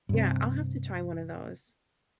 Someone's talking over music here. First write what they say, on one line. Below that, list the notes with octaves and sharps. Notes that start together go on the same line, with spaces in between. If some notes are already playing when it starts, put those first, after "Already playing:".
yeah, I'll have to try one of those.
G2 C3